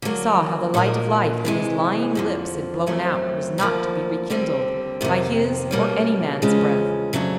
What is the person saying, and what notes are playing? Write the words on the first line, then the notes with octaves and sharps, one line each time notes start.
He saw how the light of life that his lying lips had blown out was not to be rekindled by his or any man's breath.
D3 F#3 A#3
A#2 F#3 A#3 D#4
C3 E3 G#3
F2 D3 F3
F#2 C#3 F#3 A3 C4
D2 D3 F3 A#3
D#2 D3 G3 C4
F2 C3 D#3
B2 G3 A#3 C#4
E2 C#3 F3 G#3
F2 C#3 F#3 A3 D4